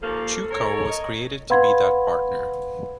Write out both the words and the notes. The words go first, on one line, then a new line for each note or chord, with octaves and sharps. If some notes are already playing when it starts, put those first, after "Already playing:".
Chewco was created to be that partner.
D#2 F3 A#3 A4
A#4 C#5
D#5
B4 F5 F#5 B5 C6 G#6